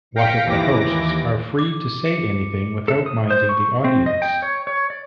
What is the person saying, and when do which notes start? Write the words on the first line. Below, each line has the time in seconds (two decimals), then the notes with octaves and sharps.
What if the hosts are free to say anything without minding the audience?
0.16 F5 G5 A#6 B6 C#7 D7
0.45 D#2 E3 D6 A#6
1.59 D6
2.06 C#7
2.88 A4
3.06 D#6
3.30 C5
3.49 C#6
3.84 C4
4.06 D#5
4.22 G5
4.42 C#5
4.67 C#5
4.90 D5